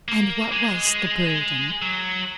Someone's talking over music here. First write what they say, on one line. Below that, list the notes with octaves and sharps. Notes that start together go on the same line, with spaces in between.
And what was the "burden"?
A#3
G#3
F#3